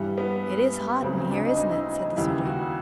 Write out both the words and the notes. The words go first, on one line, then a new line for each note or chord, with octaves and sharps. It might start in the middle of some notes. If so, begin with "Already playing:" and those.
'It is hot in here, isn't it!' said the suitor.
Already playing: G2 E3 G3
B3
D2 C#3 F#3 C4
C4
D4
D#4
D#4
E4
D#4
D#2 C#3 E3 G3 E4
F#4